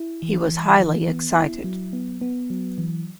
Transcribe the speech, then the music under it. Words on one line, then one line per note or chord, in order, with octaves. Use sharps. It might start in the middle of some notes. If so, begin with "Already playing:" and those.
He was highly excited.
Already playing: E4
E3
E3
E3
B3
E4
F#3
B3
B3
F#3
E3